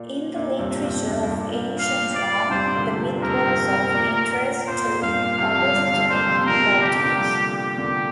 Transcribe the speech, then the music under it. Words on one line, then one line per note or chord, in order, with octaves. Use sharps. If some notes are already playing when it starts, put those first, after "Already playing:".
In the literature of ancient Rome, the myth was of interest to Augustan writers.
Already playing: A#2
A#2
G2 C3
G2
G2
G2
A#2
A#2
F5
D5
G2 C3 C5
A#2 D3
C3 F3
G2 C3 A#4
G2
G2
A#2
A#2
A#2 C5
A#2
G2 F5
A#2
G2 C3 F5
C3 F3
D3 G3
C3 F3
A#2 C5
C3 F3
C3 F3 A#4
D3 G3
C3 F3 G4
A#2 D3
D3 G3
G4
A#2 D3